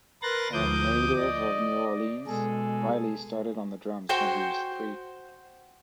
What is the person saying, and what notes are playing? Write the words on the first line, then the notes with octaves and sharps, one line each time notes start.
A native of New Orleans, Riley started on the drums when he was three.
A#4 B4 C6 F#6 A6 A#6
D2 F3 D6 D#6 G6
D5 D#5
B2 G#3 G#4 A4
F#4 C5 G5 G#5